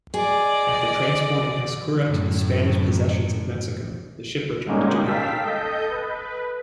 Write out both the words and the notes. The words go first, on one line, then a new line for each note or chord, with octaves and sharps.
After transporting Hasekura to the Spanish possessions of Mexico, the ship returned to Japan.
G#4 D5 D#5
F#2 A2
D3 G3 G#3 A#3 C#4 D#4
F5 G5 A5 E6 B6
A4 D#5 G6
B4